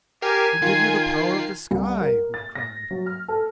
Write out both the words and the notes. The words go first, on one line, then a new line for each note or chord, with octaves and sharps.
"We give you the power of the sky!" we cried.
G4 A#4 G#5 C7
D#3 F4 C7
C2
A#4
A6
A#6
F#3
F6
A4